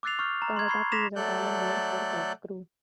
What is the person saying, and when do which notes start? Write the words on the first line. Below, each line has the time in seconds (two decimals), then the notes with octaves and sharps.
"Cavatappi" is the Italian word for corkscrew.
0.03 D6 E6 F#6 A6 C7 F7
0.19 C#6 F6 G6
0.42 A#5
0.56 C6 G#6
0.68 B5 C#6 G#6 C7
0.92 C6 D6 A#6 B6 E7 F7
1.16 F#3 A3 A4 D5 F#6 G6